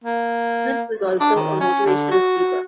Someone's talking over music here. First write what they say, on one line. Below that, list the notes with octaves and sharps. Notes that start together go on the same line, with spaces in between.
Smith was also a motivational speaker.
A#3
D4
D#3
C#4
D3
F#4